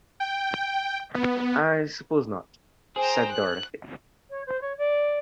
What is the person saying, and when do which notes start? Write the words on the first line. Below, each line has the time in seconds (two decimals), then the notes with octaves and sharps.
"I suppose not," said Dorothy.
0.20 G5
1.14 B3
2.96 G#4 C5 G5 A#5
3.30 F#6
4.30 C#5
4.46 C5
4.61 C#5
4.77 D5